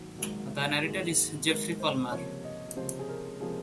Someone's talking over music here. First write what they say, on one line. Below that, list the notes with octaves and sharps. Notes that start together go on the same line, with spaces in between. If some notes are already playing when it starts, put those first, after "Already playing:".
The narrator is Geoffrey Palmer.
Already playing: G#1 G#2 F#3 A#3
G#1 G#2 F#3 A#3
G#1 G#2 F#3 A#3 G#4
G#1 G#2 F#3 A#3 A#4
C5
C#2 C3 F3 A#3 C#5
D#5
C#2 C3 F3 A#3 C5
G#4
A#4
C3 F3 A#3 G#4